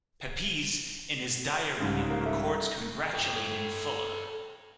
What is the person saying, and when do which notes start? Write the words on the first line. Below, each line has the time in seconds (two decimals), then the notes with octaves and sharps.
Pepys in his Diary records congratulating Fuller.
1.80 C2 G#2 C#3
2.10 A#3
2.26 A3
3.14 A4 G5